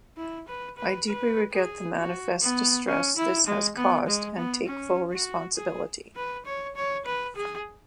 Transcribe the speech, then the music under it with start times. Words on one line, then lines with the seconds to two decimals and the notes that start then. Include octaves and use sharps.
I deeply regret the manifest distress this has caused and take full responsibility.
0.17 E4
0.48 B4
0.78 B4
1.07 B4
1.52 G#4
1.97 F#4
2.42 B3
2.87 C#4
3.16 E4
3.46 G#3
3.76 B3
4.07 G#3
4.36 B3
4.66 C#4
5.12 F#4
5.56 G#4
6.16 B4
6.46 C#5
6.76 C#5
7.05 B4
7.36 G#4